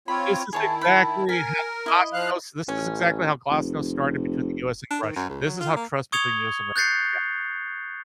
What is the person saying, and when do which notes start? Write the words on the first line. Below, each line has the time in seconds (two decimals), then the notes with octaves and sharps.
This is exactly how Glasnost this is exactly how Glasnost started between the US and Russia. This is how trust between US and Russia began.
0.08 C4 F4 C#5 B5
0.53 D#3 E4 G#4 C#5 A5
0.81 A5 B5
1.29 A#4 G#5
1.86 E4 D#5
2.13 F3 F5 F#6
2.68 A1 C#4
3.50 F1
4.91 D4
5.03 D#3
5.16 F#2
5.30 C#2
5.46 F#3
5.61 F4
5.76 A#3
6.12 C#6 D#6 G#6 C#7 F7 G7
6.76 F#6 G6 A6 C7 C#7